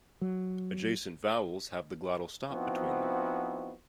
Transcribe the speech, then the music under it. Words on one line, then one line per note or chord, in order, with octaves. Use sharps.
Adjacent vowels have the glottal stop between them.
F#3
F3 B3 C4 D#4 E4 F#4